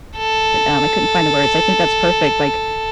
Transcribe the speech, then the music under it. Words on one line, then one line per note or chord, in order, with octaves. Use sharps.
um, I couldn't find the words. I think that's perfect, like
A4